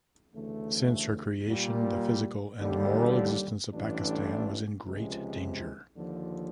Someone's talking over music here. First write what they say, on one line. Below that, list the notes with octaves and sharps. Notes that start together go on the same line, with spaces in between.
Since her creation, the physical and moral existence of Pakistan was in great danger.
D2 C#3 E3 A3
A#2 G3 A#3
D#2 D3 G3
A1 G2 E3 A3 D4
C#2 C3 F3 G#3
D#2 D3 F3